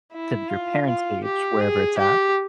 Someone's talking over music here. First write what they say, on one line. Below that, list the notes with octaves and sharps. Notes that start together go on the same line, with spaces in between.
to th your parents' age, wherever it's at,
E4
F4
F4
G4
G#4
G4